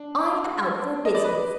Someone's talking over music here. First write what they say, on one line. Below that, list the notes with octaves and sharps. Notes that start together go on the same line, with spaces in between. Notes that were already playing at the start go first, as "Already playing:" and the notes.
I am out for business.
Already playing: D4
D#5
D5
B4